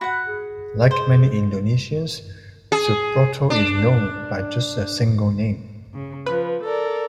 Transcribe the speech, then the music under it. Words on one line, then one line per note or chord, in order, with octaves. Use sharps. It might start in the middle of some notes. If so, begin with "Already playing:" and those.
Like many Indonesians, Subroto is known by just a single name.
F#4 F#5 B5
G#4
C5
G#4
D4
C#3
F3 B4
A4 A#4 D5